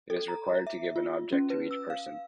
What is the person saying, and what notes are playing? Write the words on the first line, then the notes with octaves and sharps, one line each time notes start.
It is required to give an object to each person.
A4
A#5
E5
F4
C#4
B4
E6
F5